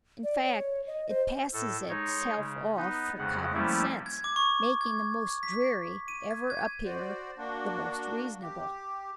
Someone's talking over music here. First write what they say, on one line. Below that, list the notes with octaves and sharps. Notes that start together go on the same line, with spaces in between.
In fact, it passes itself off for common sense, making the most dreary ever appear the most reasonable.
D5
C#5
D#5
C5
A2 A4
G#3 D#4 C#5
C#3
B3 D#4
F2 C#3 G#3 F#5
F3 G3 A3 A#3 C#4 E4
G#6
D6
C#6
G#6
B6
D#7
G#6
G#6
F#4 C5 D5
A#3 D4 F#4
G4